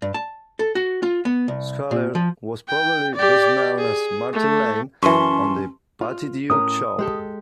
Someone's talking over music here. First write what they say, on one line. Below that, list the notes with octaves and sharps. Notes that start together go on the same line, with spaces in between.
Schallert was probably best known as Martin Lane on "The Patty Duke Show".
G2
A5
A4
F#4
F4
B3
C2
A#2
F3
G5
G4 D5
G#4
A3
F#2 E3 C#4 A5 C6 C#6
F4
A2 C#4 A#4 D#6
G#3 G4 A4